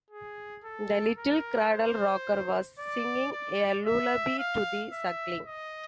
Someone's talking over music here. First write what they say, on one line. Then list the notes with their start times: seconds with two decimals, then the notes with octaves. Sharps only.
The little cradle-rocker was singing a lullaby to the suckling.
0.10 G#4
0.64 A4
1.18 A#4
1.71 C5
2.79 D5
3.32 D5
3.86 E5
4.39 F5
4.93 E5
5.47 D#5